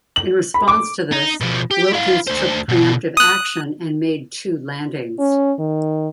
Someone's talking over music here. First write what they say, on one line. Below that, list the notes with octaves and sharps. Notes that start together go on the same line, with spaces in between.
In response to this, Wilkins took pre-emptive action and made two landings.
F#7
B5
D6
D#4
B2 F3
G4
E4 F5
D2 C5
B2 D3
D#6 F#6
C#4
D#3